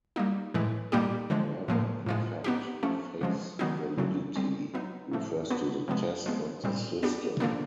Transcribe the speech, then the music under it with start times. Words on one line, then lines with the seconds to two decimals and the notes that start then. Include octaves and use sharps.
However, in fact "face validity" refers to the test, not the system.
0.16 G3 A#3 D#4
0.54 A2 E3 G#3
0.92 A#2 G3 A#3 D#4 G4
1.30 D3 F3 G#3
1.68 A2 F3 A#3
2.06 A2 F3 G#3
2.44 B3 D#4 G4
2.83 F3 A3 C#4
3.21 C#3 F3 G#3
3.59 D#3 F#3 B3 D#4
3.97 C#3 F#3 A3
4.36 D3 G3 C4
4.74 F#3 B3 D#4
5.12 A2 F3 A3
5.50 B3 D4 F#4 B4
5.88 C3 F3 G#3 B3
6.26 F3 G#3 B3
6.64 A#2 G3 C4
7.03 B3 D4 G4
7.40 D3 F3 A#3 D4